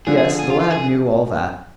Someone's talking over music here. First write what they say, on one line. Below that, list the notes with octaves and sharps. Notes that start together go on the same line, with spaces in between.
Yes; the lad knew all that.
D3 F3 G#4
G#4
G#4
F4
F4
G#4